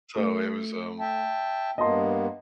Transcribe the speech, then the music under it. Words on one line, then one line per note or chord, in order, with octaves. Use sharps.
so it was, um,
A3
E5 G5 A5
G2 A#3 B3 D#5 A5 C6